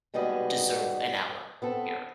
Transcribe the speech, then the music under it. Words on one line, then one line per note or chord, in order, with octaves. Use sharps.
deserve an hour, here
D#2 B2 G3 G#3 B3 D#5
B3 C4 A4